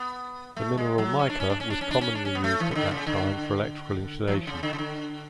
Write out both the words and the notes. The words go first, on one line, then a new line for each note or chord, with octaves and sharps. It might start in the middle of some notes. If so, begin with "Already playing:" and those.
The mineral mica was commonly used at that time for electrical insulation.
Already playing: B3
A3
G#3
F#3
C#4
D4
C#4
D4
C#4
D4
C#4
D4
C#4
D4
C#4
B3
A3
E3
C#3
D3
C#3
D3
F#3
E3
C#3
D3
C#3
D3